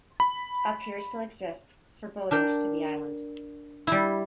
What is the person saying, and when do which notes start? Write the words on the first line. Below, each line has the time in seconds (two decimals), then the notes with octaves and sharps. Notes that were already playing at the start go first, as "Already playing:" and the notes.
A pier still exists for boaters to the island.
0.20 B5
2.31 D4 A#4 G5
3.87 G3 E4